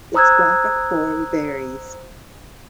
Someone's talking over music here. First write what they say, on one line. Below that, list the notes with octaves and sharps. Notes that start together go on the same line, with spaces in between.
Its graphic form varies.
C5 A#5 D#6 E6 F#6 G#6